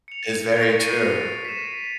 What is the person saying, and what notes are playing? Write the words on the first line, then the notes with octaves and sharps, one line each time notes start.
It's very true.
C#7 F7
C#6 G#6 A#6 C#7 D7 F7
A6 C7 D#7
B6 E7